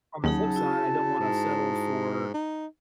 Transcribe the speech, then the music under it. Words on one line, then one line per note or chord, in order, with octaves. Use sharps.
On the flip side, I don't wanna settle for
D#2 C#3 F#3 D#4 G#4 A5
E4 F#4
G#2
D#4